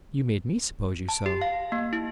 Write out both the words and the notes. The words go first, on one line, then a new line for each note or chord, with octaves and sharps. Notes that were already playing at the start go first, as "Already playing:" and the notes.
'You made me suppose you so.
A5
G4
F5
A#3
E4